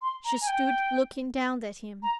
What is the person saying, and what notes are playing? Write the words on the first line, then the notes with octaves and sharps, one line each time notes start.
She stood looking down at him.
C6
A#5
G#5
G5
A#5